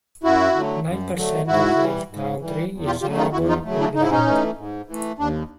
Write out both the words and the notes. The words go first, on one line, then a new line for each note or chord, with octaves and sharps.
Nine percent of the country is arable land.
F#2 E4 F#4
D3 F#3 A3
F#2
D3 F#3 A3
G#2 E4 F#4
E3 G3
G#2
E3 G3
E2
F4 G4
C#3 F#3 A3 F4 G4
D#4 F4
E2 E4 F#4
D#4 F4
C#3 F#3 A3
D4 E4
G#2 D#4
E4
C#4 D#4
E3 A3
G#2
E3 A3
D#2 D4